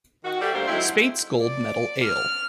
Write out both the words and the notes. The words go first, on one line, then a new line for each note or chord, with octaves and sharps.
Speights Gold Medal Ale.
D#3 F#4
G3 G4 A4 C5 D5 E5
D#2 G3 A3 A#3 D4 C5
D3 F#3 G#3 C4 D#4 E4
D5
F6